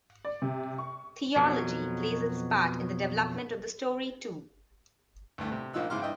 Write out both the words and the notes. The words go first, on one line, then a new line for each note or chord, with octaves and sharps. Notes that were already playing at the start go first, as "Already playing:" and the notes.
Theology plays its part in the development of the story too.
D5
C3
C#6
F2 B2 F#3
D2 G2 A3
C3
A#1 F3 D#4 E6 F#6
G#2 C#3 E4 C6 D6 F6
G2 D#5 E5 G5